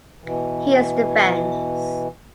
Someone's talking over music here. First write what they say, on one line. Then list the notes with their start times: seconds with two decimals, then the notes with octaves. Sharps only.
He is defense.
0.24 B2 E3